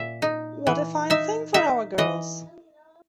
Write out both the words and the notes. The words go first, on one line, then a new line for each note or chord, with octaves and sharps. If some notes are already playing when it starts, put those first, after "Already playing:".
What a fine thing for our girls!
Already playing: A#2 E5
D#4
E3
D#4 E5
D#4 E5
E3 D#5